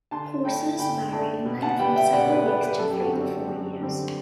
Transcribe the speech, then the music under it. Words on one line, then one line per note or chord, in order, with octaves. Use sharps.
Courses vary in length from several weeks to three or four years.
D3 A5 C6
A3 D4 G5 B5
D3 G5 B5
A3 D4
B2
F#5 A5
G3 B3 G5 B5
E5 G5
B2 D5 F#5
B4 D5
G3 B3 B4 D5
G4 B4
F#2 A4
G4
F#4 A4
D3 G3 C4
F#2
D3 G3 C4